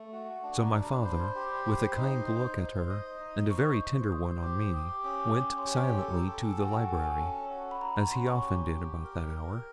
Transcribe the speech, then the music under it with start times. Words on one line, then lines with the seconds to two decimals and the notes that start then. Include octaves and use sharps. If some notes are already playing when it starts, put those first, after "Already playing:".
So my father, with a kind look at her, and a very tender one on me, went silently to the library, as he often did about that hour.
Already playing: A3
0.13 F#4
0.43 D4 A5
0.64 A#5
0.74 D4 A#5
0.84 B5
1.05 C5 B5
1.20 C6
1.35 G4 C6
1.51 B5
1.66 C5 C6
1.97 D#4
2.28 C5
2.59 C5
2.90 D#5
3.20 D#4
3.50 C5 C#6
3.82 C5
4.12 C5 D#6
4.43 G4 D6
4.73 G4 D#6
4.89 D6
5.04 C#4 D#6
5.20 D6
5.29 D#6
5.35 C#4 D6
5.58 C6
5.66 G4 C#6
5.96 A4 C6
6.12 A#5
6.27 A4
6.38 G5
6.42 G#5
6.58 F#4 G#5
6.73 G5
6.84 G5
6.88 A4 G#5
7.04 G#5
7.20 C#4 A5
7.50 F#4
7.71 B5
7.81 F#4 A#5
7.97 A#5
8.11 C#4 C6
8.27 C#6
8.42 G4
8.73 G4
9.04 A#4
9.35 A#4